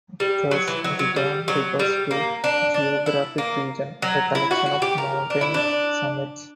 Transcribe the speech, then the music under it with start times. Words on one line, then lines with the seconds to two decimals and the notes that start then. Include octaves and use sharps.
Thus the term refers to a geographic region; a collection of mountain summits.
0.20 G3
0.51 F#3
0.68 E3
0.84 F#3
0.99 F#3
1.16 G3
1.48 F#3
1.80 G3
2.11 A#3
2.44 D4
2.74 D4
3.06 E4
3.38 A#3
4.02 F#3
4.35 E4
4.51 F#4
4.66 F#4
4.82 G4
4.98 A#4
5.30 D4
5.41 E4
5.54 D4